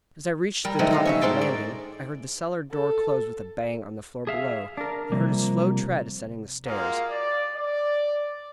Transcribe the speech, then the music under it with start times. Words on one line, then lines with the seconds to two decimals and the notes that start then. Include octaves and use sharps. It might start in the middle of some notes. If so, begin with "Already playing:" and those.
As I reached the top of the landing, I heard the cellar door close with a bang on the floor below, and heard a slow tread ascending the stairs.
0.65 G3 A#4
0.79 D3 D#3 F#3 G#3 A3 C4
0.91 D#4 D#5 F5
1.05 C#4 C#5 E5
1.22 G#2 G#4 A#4 C5 G5 A5
1.41 D5
2.71 A4
4.27 G#4 E5 F5
4.77 D4 A#4
5.12 C3 F3 G3 A#3
6.66 G#3 A#3 F4 F#4 F5
7.09 D5
7.57 D5